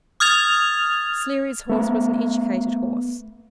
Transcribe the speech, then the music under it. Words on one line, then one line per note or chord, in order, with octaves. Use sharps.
Sleary's horse was an educated horse.
D#6 F6 G#6 A6 F7
A3 B3